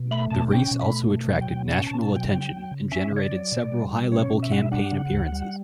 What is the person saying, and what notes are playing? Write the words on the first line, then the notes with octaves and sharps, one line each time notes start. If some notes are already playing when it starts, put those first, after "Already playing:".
The race also attracted national attention and generated several high-level campaign appearances.
Already playing: B2
A3 B5
B2 A5
C#4 G5
B2
B5
A3
B2
F#3
G5
B2
C#4 F#5
B2 A5
A5
F#3
G5
C#3 G5
F#3
C#3
C#4 E5
C#3
C#5
D5
F#3
B2
G3
B2
C#4 C#5
B2
E5
G3 F#5
E5
D4 F#5
C#3
D2
G3